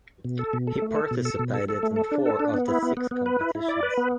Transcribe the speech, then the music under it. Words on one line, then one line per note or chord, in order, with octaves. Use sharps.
He participated in four of the six competitions.
B2
A4
B2
A4
A3
A4
B2
A4
B2
A4
A4
A3
A4
D4
A4
D4
B3
E4
B3
B3
B3
B4
E4
E4
D5
B4
B3